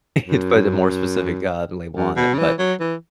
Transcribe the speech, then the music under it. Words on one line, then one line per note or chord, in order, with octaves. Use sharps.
to put a more specific, uh, label on it. But
F#2
F#2
B2
C#3
E3
F#3
E3